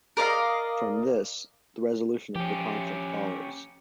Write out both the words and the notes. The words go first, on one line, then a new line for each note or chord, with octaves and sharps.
From this, the resolution of the conflict follows.
A#4 D5 D#5 F5
F3 C#4 G4